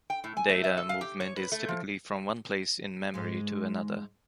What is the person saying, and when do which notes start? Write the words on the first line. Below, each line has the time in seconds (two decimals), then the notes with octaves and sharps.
Data movement is typically from one place in memory to another.
0.10 G5
0.24 A2
0.37 G#5
0.49 A3
0.64 E5
0.77 A4
0.89 F5
1.01 G4
1.20 C#5
1.37 B4
1.52 A3
1.69 F3
3.14 G#2 G#3